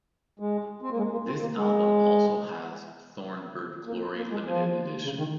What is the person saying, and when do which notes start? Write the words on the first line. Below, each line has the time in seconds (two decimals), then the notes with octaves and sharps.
This album also has Thorn Bird Glory Limited Edition.
0.40 G#3
0.82 C4
0.91 A#3
0.97 G#3
1.12 A#3
1.26 C4
1.41 A#3
1.56 G#3
3.87 A#3
4.02 C4
4.17 A#3
4.31 G#3
4.46 F3
5.04 C#3
5.18 D#3